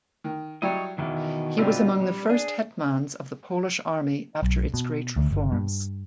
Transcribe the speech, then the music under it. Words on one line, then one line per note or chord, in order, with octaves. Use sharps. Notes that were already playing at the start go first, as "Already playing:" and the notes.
He was among the first Hetmans of the Polish Army after its great reforms.
D#3
F#3 G3 E4 C#5 D#5
E2 B2 D#3 E3 C#4
A#2 D3 C4 F4 B4
G3
D4 G#4
B1
B2
D2
G1
G2